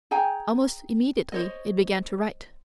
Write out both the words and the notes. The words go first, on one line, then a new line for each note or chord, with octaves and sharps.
Almost immediately it began to write.
G#4 G5 G#5 A#5
C5 C#5 D#5